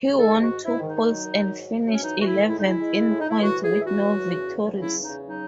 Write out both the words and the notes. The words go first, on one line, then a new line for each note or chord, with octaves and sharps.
He won two poles and finished eleventh in points with no victories.
D#3 A4
G#2
F#4
G#2
G#2 E4
D#3
D#4
D#3
F#3
D#3
F#3
G#2
G#2
F#3
C#4
E3 D#4
E3 F#4
E4
A2
G#3 E4
D#4
G#3 E4
G#3
G#3
A2
D#4
A2 E4
E3 F#4
A2
G#4
E3
E4
E2 F#4
F#3
E2
C#3
E2
F#3
C#3 E4
E2
D#4
C#3
F#3 D#4